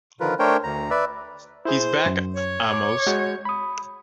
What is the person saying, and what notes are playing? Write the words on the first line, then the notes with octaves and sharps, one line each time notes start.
He's back, Amos!
D3 D#3 F3 F4 A#4 B4
A3 D4 A#4 C5 C#5 G5
D2 A#5
B4 D5 E5
E4 G#4 C5
F#2
C#5
D6
G#3 F#4 G6
B5 D#6